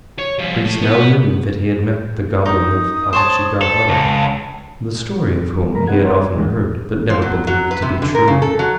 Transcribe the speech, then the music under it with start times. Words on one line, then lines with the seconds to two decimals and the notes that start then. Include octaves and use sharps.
The priest now knew that he had met the Goblin of Adachigahara, the story of whom he had often heard but never believed to be true.
0.18 C#5
0.39 F3 G3
0.64 A2 A3
0.82 B3 B4
2.46 D#4 D#6
3.13 C5 C#5 A5
3.61 A4
3.89 C#2 A5
5.62 G3
5.75 F2 C3 A3 A#4 A#5 B5
5.87 C4 D#4 G4 F#5 G#6
6.02 A#4 C#5 E5 F#5 C6
6.17 F#3
6.35 F2 A2 D3 E3 G#3
7.10 F3
7.22 F#3
7.47 F#3
7.71 B4
7.82 C3
8.02 D3
8.15 A#4
8.28 C#3
8.42 A4
8.59 F#3